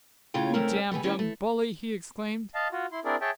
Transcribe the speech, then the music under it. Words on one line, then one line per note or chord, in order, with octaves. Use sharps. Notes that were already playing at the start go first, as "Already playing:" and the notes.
"You damned young bully!" he exclaimed.
A2 C#3 C#4 F4 G5
G#2 C#3 A3 C4 C#4 A#4
G3 A3 B3 G#4
D#3 E3 G3 B3 C#4 D4
A3
D#5 F5 A5
F4 F#4
E4 C6
C4 D4 E4 G#4 A#4 D5
G#4 C#5 E5 G5 A5